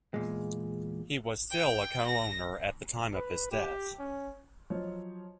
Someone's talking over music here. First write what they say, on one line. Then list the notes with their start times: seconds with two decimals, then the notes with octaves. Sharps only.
He was still a co-owner at the time of his death.
0.14 E2 A#2 G#3
1.51 G5
2.06 A#6
3.14 B4
3.51 G4
3.99 C#4
4.70 F3 F#3 F4 C5 C#5 D#5